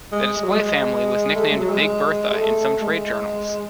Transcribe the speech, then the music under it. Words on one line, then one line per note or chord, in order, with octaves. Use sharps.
The display family was nicknamed "Big Bertha" in some trade journals.
G#3
G#3
F#3
G#3
A3
G#3
F#3
G#3
A3
G#3